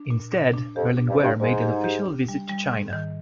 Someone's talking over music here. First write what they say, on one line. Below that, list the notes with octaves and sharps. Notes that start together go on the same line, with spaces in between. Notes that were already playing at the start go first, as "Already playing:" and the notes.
Instead, Berlinguer made an official visit to China.
Already playing: D4
A#2
A#2
D4
F2 G4
D4
G2
F2
G2 G3
G#2 G3
G4
G4
D4
G3
G3
G#2
D#3